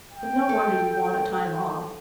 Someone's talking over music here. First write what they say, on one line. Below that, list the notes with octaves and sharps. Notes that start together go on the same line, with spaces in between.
But no wonder you want a time off.
G5
A4